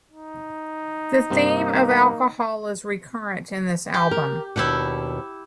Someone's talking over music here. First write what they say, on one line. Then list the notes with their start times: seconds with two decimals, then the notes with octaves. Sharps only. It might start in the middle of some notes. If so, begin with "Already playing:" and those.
The theme of alcohol is recurrent in this album.
0.11 D#4
1.30 G2 C3 A#3 C4
3.94 G4
4.11 A#4
4.56 D#2 B2 D4 E4 G4 F#5